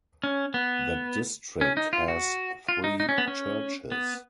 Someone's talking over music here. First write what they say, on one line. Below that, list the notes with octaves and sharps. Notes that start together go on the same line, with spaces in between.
The district has three churches.
C#4
B3
C#4
D#4
F4
F#4
F4
D#4
D#4
C#4
B3
C#4
B3